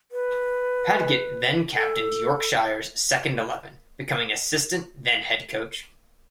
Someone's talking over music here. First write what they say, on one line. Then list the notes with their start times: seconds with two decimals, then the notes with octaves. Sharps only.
Padgett then captained Yorkshire's second eleven, becoming assistant, then head coach.
0.11 B4
1.75 A4